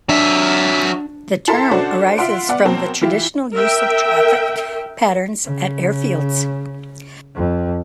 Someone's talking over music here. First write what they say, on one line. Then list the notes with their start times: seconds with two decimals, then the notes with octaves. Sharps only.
The term arises from the traditional use of traffic patterns at airfields.
0.09 F#3 D4 E5
1.48 E4 A4 A#4 E5 A5 C6
1.71 C#4 D4 F#4 A4 C5 D5
2.17 F4 E5 F#5 C6 D7
2.49 B3 D5 F#5
2.64 B2 F#3 A#3 C4 A5
3.01 E3 E4 F4 G4
3.53 A#4 E5 G5
5.45 C#3
7.35 F2